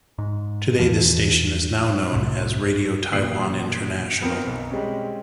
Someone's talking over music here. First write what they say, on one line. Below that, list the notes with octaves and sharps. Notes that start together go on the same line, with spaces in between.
Today, this station is now known as Radio Taiwan International.
G#2
E2 E3 F3
C2 A2 C3
E1 A#2 G3 D#6 C7 F#7
B3 C4 A#4
B1
G3 G#3 C4 C#4